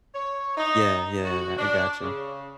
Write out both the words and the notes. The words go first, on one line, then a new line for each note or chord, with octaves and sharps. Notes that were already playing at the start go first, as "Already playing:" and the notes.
Yeah, yeah, I I gotcha.
C#5
D#4
F#4
D4
C#3